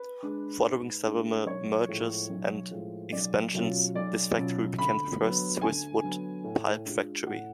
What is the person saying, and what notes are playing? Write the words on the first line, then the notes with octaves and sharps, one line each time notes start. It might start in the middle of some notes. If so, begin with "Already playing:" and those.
Following several mergers and expansions, this factory became the first Swiss wood pulp factory.
Already playing: B4
G#3 D4
G#2
G#3 D4
B1 C#5
A2 F3 G#3
B1
A2 F3 G#3
B1 D5
B2 F#3 C#4 F4
B1 D5
B2 F#3 C#4 F4
D2 B5
D3 F#3 B3
D2 G#5
D3 F#3 B3
A2
G#3 D4 F4
A2 F#5